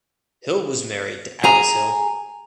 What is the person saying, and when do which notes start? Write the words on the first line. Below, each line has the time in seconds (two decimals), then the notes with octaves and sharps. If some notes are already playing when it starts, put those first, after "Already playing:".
Hill was married to Alice Hill.
1.44 G#4 G#5 A#5